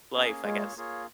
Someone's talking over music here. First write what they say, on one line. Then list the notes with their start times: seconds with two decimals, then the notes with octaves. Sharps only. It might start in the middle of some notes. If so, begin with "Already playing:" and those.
life, I guess
0.14 A#3 C#4 G#4
0.45 G#3 A#3 F4 G#4 C#5
0.76 A#3 F4 G#4 C#5